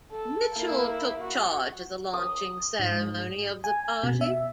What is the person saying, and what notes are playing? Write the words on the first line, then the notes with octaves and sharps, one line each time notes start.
Mitchell took charge of the launching ceremony of the party.
A4
A#3 E4
F#4
D#6
G#2
G#5
B2
E5